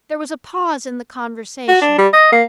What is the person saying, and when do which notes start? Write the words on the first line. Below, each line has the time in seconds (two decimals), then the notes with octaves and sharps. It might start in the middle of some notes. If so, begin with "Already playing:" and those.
There was a pause in the conversation.
1.68 F#4
1.81 D4
1.98 G3
2.13 D#5
2.32 A#3